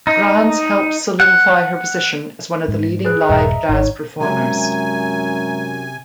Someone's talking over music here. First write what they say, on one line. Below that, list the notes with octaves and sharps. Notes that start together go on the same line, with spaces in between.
Granz helped solidify her position as one of the leading live jazz performers.
D#4
F#5
G#2
G#4 B4 F#6
D#1 G2 D#5 E5 A#5
G#1 D#4 C#5
F#2 C3 G#3 E5 G#5 A#5